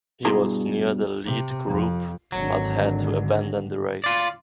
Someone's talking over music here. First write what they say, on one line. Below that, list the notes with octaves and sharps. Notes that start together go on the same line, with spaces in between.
He was near the lead group but had to abandon the race.
G2 B2 E4 G#4 A#5 C6
C3
F2
G#1 D3 F#3
F4 D5